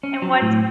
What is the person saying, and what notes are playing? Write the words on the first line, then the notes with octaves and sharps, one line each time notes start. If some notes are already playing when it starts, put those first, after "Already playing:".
And what's
C#4
F#3
A2